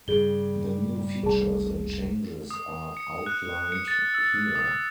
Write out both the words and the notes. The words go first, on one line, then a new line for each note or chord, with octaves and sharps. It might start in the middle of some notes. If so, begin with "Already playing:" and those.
The new features and changes are outlined here.
G2 C#3 G3 G#4 G7
F1 C2 G#4 A5
D#6
C#7
F#6
C#7
A6
E6
D#6